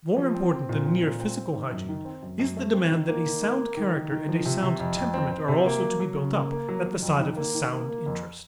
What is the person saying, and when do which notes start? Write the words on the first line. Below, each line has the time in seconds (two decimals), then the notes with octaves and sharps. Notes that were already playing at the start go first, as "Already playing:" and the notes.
More important than mere physical hygiene is the demand that a sound character and a sound temperament are also to be built up, at the side of a sound interest.
0.16 F3
0.35 C4
0.51 C4
0.69 A#2
0.85 C4
1.03 A#2
1.20 C4
1.37 C4
1.55 D#3
1.71 F#2
1.89 D#3
2.05 C4
2.23 F#2
2.39 F#2
2.57 A3
2.74 C4
2.92 D#3
3.09 A#3
3.26 D#3
3.42 A#3
3.60 A#3
3.77 D#3
3.94 D#3
4.12 D#3
4.29 F3
4.45 C3
4.63 C3
4.79 F2
4.97 F2
5.14 C4
5.31 C4
5.48 C3
5.66 A#3
5.83 F#3
6.00 F#3
6.17 C#3
6.35 A#3
6.52 A#3
6.68 F#3
6.86 F#3
7.02 F2
7.20 D#3
7.37 A#3
7.54 D#3
7.72 A#3
7.89 A#3
8.06 F2